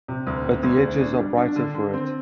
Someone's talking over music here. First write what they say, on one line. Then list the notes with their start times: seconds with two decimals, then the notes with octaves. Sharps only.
But the edges "are" brighter for it.
0.08 C3
0.27 D2
0.45 C3
0.63 D2
0.82 D4
1.01 D4
1.20 G3
1.37 D4
1.56 D3
1.74 D3
1.93 C4